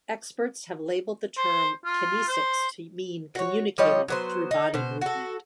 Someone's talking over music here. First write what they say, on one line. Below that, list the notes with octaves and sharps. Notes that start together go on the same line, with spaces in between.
Experts have labeled the term kinesics to mean communicating through body movement.
C5
F4
C5
F#4 C#5
F3 G3 C#5 D#5
F#3 B3 C5
D#4
B2 C5
F#4 A4